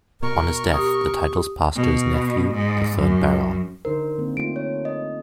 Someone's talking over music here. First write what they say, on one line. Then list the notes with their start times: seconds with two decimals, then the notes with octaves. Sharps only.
On his death the titles passed to his nephew, the third Baron.
0.23 B2 A#4 C#6
0.73 G4 D#6
1.76 B2
2.54 G#2
2.97 F#2
3.85 D3 D#4 A#4 C5
4.18 D3 A#3 C4
4.37 A3 D#4 F4 D7
4.56 C#5
4.85 D#5